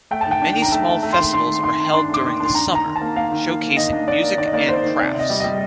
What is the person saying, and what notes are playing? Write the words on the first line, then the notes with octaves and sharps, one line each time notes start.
Many small festivals are held during the summer, showcasing music and crafts.
A3 G5
A5
D#3 G5
D4
D#3
A#5
A3 A5
A3
A3
D#3 C6
D#3 C6
A3
D#3 C6
D#3
D4 C6
A3 D6
D#3
D4 C6
D4 A#5
D#3 A#5
D#3
A5
A#3
A#3 F5
D#3
A#3
A#3
D#3 D#5
D4
A#3 D5
A#3
D#3 D5
D#5
A#3 D5
D#3 C5
D#3
C3 D5
C3 D#5
G3
G3 D#5